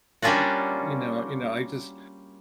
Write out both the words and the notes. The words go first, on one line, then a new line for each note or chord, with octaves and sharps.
y y you know you know, I just
G3 A#3 C#4 D4 F4 F#4